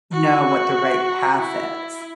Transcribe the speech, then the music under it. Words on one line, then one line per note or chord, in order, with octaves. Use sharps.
know what the right path is?
F#4
E4